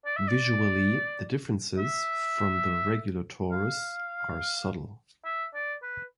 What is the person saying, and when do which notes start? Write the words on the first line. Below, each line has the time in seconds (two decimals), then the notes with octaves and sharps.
Visually, the differences from the regular Taurus are subtle.
0.06 D5
0.16 E5
0.28 D5
1.78 E5
3.52 F5
5.25 E5
5.54 D5
5.83 B4